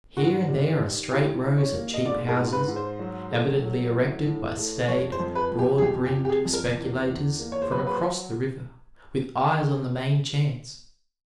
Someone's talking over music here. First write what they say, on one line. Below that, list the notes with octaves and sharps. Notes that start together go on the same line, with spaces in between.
Here and there are straight rows of cheap houses, evidently erected by staid, broad-brimmed speculators from across the river, with eyes on the main chance.
G#2 F#4
G3
D#3
E3 G4
G3
C#5
A#3
D#5
G#2 D5
A#4
G#2
B4
G#2
C5
F#3
A3
F#3
A2
A2
A3
F2 C#5
C5
F2
B4
F2
G4
G#4
F2 G4
G4
C3
G4
G#4
F2
A#4
E2
E2
A#3
C#5
C5
F#3 B4
B4
C5